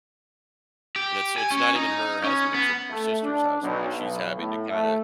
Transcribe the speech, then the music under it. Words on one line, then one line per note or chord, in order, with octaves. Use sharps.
and it's it's not even her husband, it's her her sister's husband, but she's having to kinda
G4
G#5
C#4
D#4
C#4
B3
A3
D4
B1
B1
A2
A3